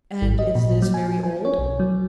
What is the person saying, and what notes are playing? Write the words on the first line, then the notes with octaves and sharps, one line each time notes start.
'And is this very old?'
G#1
D#5
A#2
F#3
G#5
G#5
C#5
B1
F#3